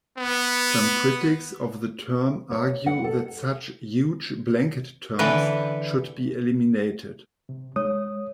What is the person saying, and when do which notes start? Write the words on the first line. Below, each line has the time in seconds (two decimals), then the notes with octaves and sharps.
Some critics of the term argue that such "huge blanket terms" should be eliminated.
0.18 B3
2.51 C#5
2.86 F#5
3.04 A4
5.19 D3 E3 B4
7.49 C3
7.76 G#3 C#5 D#6